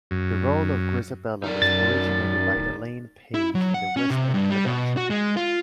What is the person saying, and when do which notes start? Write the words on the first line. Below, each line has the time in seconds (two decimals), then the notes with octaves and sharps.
The role of Grizabella was originated by Elaine Paige in the West End production.
0.11 F#2
1.44 D#4 A#4 D5
1.62 F#2 A6
2.56 D1
3.34 E4
3.55 F#3
3.74 F#5
3.97 C#4
4.11 C3
4.34 G2
4.50 G3
4.66 B2
4.97 F#4
5.10 G#3
5.37 F4